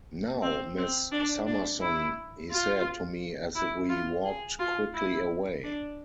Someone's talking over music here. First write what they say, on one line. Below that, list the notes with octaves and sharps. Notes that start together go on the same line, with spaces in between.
"Now, Miss Summerson," he said to me as we walked quickly away.
C4
C4
D4
D4
E4
F4
E4
F4
G#4
F4
E4
D4